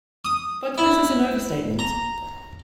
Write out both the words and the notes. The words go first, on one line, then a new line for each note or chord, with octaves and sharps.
But this is an overstatement.
D#6
E4
A#5